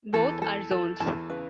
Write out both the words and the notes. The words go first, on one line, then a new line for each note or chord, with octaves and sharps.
Both are zones.
E2 E3 A4
A4
A4
E2 E3 A5
C#3 B4